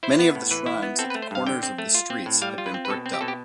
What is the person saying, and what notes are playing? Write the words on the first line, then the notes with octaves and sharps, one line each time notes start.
Many of the shrines at the corners of the streets had been bricked up.
E4 C5
B3
A2
E3 B4
E4
B3
C4 A4
B4
A3
C5
G2 F5
D3 G5
C4
A3
F4
C4
A2
G3 F5
F4
B4
C4
B4
B2 A4
C4
G4
B2 A4
G4